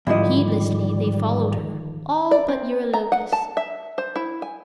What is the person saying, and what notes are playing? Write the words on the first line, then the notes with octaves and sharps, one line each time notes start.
Heedlessly they followed her, all but Eurylochus.
D#2 G#2 D3 F3 G3 E4 D#5
D5
C4
A#5
F#5
A5
E5
C5
E4
G#5